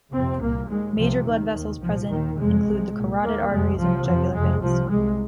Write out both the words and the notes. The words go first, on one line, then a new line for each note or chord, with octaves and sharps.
Major blood vessels present include the carotid arteries and the jugular veins.
F2 C3 C4
C2 A#2 A#3
D#2 G#3
C2 C3 F3
D#2 D#3
D#2
C2 A#2 F3
D#2 D#3
F2 C3 G#3
C2 C3
C2 A#2
D#2 A#3
F2 C3 G#3
C2 C3 F3
F2 C3 F3
F2 C3 G#3
C2 C3 F3
C2 C3 G#3